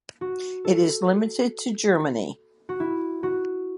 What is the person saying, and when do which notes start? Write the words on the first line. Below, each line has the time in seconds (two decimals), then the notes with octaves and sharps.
It is limited to Germany.
0.21 F#4
0.65 A4
2.69 F#4
2.80 E4
3.23 F#4